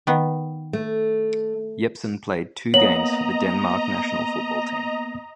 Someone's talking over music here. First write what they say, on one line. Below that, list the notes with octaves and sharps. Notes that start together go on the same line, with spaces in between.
Jepsen played two games for the Denmark national football team.
D#3 B3
A3
A#3 B3 C#5 D#5 A#5 F#7